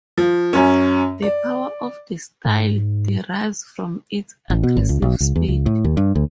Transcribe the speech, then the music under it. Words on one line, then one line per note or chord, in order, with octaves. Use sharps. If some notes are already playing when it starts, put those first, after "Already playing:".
The power of the style derives from its aggressive speed.
F3
F#2 C#4
D5
G#2
A1
B2
G#1
C#2
B1
C#2
E2
C#2
A2
D#2
G2
D2